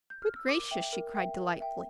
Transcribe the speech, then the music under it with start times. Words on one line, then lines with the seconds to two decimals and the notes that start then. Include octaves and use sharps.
"Good gracious!" she cried, delightedly.
0.10 G6
0.22 F6
0.36 E6
0.48 A#4 D6
0.71 E5 G5
0.93 A#4
1.15 E5 G5
1.38 A#4
1.61 E5 G5